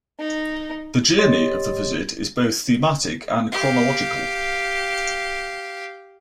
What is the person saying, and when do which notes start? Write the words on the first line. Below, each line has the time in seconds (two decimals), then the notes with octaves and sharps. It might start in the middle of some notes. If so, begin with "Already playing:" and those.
The journey of the visit is both thematic and chronological.
0.19 D#4
1.18 G4 C#5 D#5 C6 A6
3.52 G4 F5